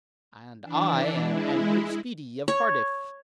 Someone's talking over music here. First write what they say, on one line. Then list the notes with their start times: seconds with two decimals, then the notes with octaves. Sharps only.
"And I am Andrew Speedy, of Cardiff."
0.63 E3 D4
1.17 G#3 E4
2.48 C#5